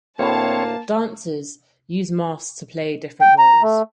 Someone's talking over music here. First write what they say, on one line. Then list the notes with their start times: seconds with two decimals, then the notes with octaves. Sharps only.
Dancers use masks to play different roles.
0.19 D2 A2 A#3 C4 C#5 A5
3.21 G5
3.38 A#5
3.63 A3